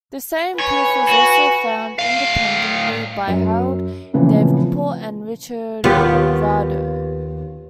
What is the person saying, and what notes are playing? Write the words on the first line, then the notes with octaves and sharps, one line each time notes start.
The same proof was also found independently by Harold Davenport and Richard Rado.
B4 C#5 G#5
F#4
A2 F5
F#2
A#2 C#3 E3 F3 A3 C4
D#2 B3 F4 G4